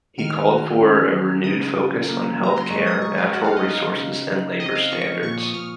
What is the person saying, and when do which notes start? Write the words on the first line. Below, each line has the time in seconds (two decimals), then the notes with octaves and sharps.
He called for a renewed focus on health care, natural resources and labour standards.
0.18 D#3 F6
0.49 F#4
0.81 C#4
1.12 F#3
1.44 C#3 D#6
1.75 F4
2.08 A#3
2.38 F#3 A#5
2.56 C6
2.70 G#3 C#6
2.87 D#6
3.02 A#4 C#6
3.18 F5
3.33 F#4 F#5
3.44 F5
3.57 D#5
3.65 D#4 F5
3.96 C#3
4.28 D#4
4.60 C4 D#5
4.75 F5
4.91 F3 C#6
5.22 A#2 C#6
5.38 D#6
5.54 A#2 F6